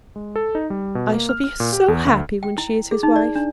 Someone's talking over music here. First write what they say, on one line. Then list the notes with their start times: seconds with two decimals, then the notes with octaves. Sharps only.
I shall be so happy when she is his wife.
0.16 G#3
0.36 A4
0.55 D#4
0.70 G3
0.95 B2
1.12 A#3
1.29 F6
1.44 F6
1.60 A#2
1.73 G4
1.88 E2
2.06 D2
2.43 G5
2.58 E4
2.91 G#4
3.03 D#4
3.16 D5
3.35 D4